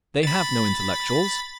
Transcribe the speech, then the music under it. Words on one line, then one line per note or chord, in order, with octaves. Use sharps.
They have no intellectuals....
B5 A6